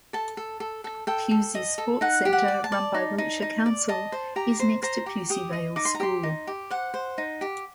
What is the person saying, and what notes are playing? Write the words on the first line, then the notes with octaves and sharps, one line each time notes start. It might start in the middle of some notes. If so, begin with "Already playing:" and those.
Pewsey Sports Centre, run by Wiltshire Council, is next to Pewsey Vale School.
A4 A5
A4
A4
A4
A4 G5
A4
D#5
A4
D#4 F#5
G4
F#5
D5
A5
D5
D#4
D#4
D#4
D5
D#5 A5
C5
G4 A#5
C5
C5 A#5
G4
G4 D#6
D#5
D#4 D6
C6
A#5
G4 C6
D#4
G4
C5 F#5
C5
D#4
G4